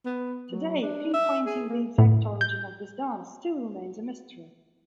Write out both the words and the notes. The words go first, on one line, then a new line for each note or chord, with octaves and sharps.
Today, pinpointing the exact origin of this dance still remains a mystery.
B3
F#3
D4
E5
G#4
A#3
A2
G6